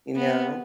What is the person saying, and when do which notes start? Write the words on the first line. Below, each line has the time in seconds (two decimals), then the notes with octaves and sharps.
You know?
0.16 B3